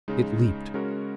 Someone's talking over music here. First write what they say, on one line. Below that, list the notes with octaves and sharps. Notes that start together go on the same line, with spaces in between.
It leaped.
C#3 G#3 D#4
C#3 G#3 C#4 F#4 A#4